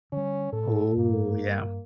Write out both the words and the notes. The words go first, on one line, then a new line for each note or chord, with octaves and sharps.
Ooh, yeah.
D3 G3 C#4
A2 A4
G2 A#3